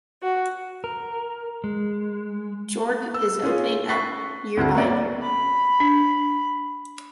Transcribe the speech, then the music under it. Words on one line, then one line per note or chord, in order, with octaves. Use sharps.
Jordan is opening up year by year.
F#4
A#4
G#3
E6
C#4 F4 G#4
C#6 F#6 A6 B6 C7
D2 C4 F#4 A5
A#3 B3 C#4 D5
B5
D4